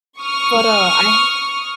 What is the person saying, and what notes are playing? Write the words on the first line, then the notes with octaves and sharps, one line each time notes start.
but, uh, I
C#6 D#6 F6